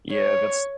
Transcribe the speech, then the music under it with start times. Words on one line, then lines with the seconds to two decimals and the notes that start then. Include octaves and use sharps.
Yeah, that's
0.13 C#5